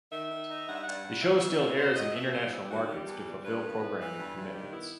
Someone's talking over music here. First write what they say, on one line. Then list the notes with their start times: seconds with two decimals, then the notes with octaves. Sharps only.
The show still airs in international markets to fulfil programming commitments.
0.12 D#3 E5
0.31 D#3
0.49 D#4
0.67 G2 F#5
0.75 E5
0.84 G2 F#5
1.04 G2
1.22 B2 E5
1.40 B2
1.59 B2
1.77 B2 C5
1.96 F#3 D#5
2.15 B2 E5
2.33 G3 C5
2.45 D#4
2.51 B3 E4
2.64 G4
2.71 D#3 F#4
2.88 G3 G4
3.07 E2
3.25 G3
3.44 G2 B4
3.62 B3
3.80 B3
3.99 E3
4.18 G2
4.36 G2
4.54 D#3 G4
4.72 B3 E4